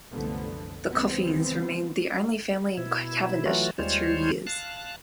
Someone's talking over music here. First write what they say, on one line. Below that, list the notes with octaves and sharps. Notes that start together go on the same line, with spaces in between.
The Coffeens remained the only family in Cavendish for two years.
C2 F#2 D3 F3 A3 B3
C#2 E3 G3 B3 C4
B2 E4
E3 F#3 A3 F4 F#4
D#2 G3 G#3 F4 C5 C#5
F5 A5 F#6